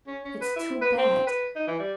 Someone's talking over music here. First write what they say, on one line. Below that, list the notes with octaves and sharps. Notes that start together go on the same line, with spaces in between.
It's too bad!
C#4
C#4
B4
E4
B4
C4
B4
D#4
E3
G3